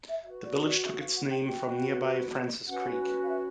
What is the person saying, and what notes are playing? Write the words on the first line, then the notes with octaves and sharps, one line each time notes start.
The village took its name from nearby Francis Creek.
E5
F#4 B4 E5
D5
D5
E5
F5
F#5
G5
F#4 B4 G5
C#4 F#4 B4 F#5
F5
E5